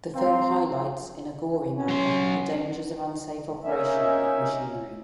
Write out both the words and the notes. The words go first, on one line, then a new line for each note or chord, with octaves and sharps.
The film highlights, in a gory manner, the dangers of unsafe operation of machinery.
C4 F5 A#5 C6
C#4
F#3 C6
A#3 C#4 D#4 E5